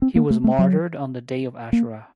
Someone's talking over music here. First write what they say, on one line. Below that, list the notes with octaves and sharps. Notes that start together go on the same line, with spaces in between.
He was martyred on the Day of Ashura.
C4
A#3
A3
A3
F#3
A#3